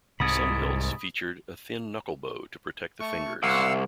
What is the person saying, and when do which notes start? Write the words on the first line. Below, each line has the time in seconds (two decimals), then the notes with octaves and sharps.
Some hilts featured a thin knuckle-bow to protect the fingers.
0.20 C2 G#2 C3 B5 D#6
3.00 A3 C#6
3.43 C2 F5 F#5 E6